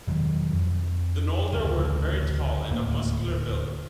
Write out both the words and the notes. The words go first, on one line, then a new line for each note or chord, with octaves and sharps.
The Noldor were very tall and of muscular build.
E1 D#3 F#3 G#3
F2
A1 D2 C#3
D#1 D2 A2 A#3